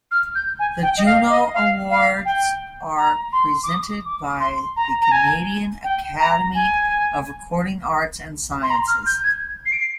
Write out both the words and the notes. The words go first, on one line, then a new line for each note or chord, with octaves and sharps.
The Juno Awards are presented by the Canadian Academy of Recording Arts and Sciences.
F6
G6
G#5
G5
D#5
F5
D#5
F5
F5
G5
A#5
C6
D6
D#6
D6
C6
A#5
A#5
G#5
G5
A#5
G#5
C6
A#5
F6
G6
G#6
C7
D7
C7